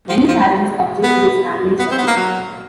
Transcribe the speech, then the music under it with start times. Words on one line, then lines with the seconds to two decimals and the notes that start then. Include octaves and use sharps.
Many parents object to this annual shuffle.
0.09 F3
0.28 F3
1.03 B3
1.79 B3
1.91 C4
1.98 B3
2.07 A#3
2.17 F#3